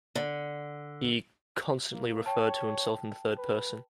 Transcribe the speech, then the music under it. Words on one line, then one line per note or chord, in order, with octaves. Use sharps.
He constantly referred to himself in the third person.
D3
A#3
C#5 G5 A5
B4